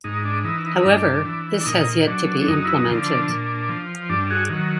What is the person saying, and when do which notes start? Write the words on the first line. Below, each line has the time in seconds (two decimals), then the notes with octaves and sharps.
However, this has yet to be implemented.
0.04 G#2 D#4
0.25 D4
0.44 E3 D#4
0.66 D#4
0.76 D#4
0.85 G2 D4
1.25 E3
1.60 D4
1.66 A#2 D#4
2.06 F#3 D4
2.41 D4
2.48 F#2 D#4
2.65 E4
2.75 D#4
2.87 D3 F3
3.02 D4
3.29 A#2
3.69 F3
4.09 G2 D4
4.30 F#4 G#4
4.50 D#3 F#3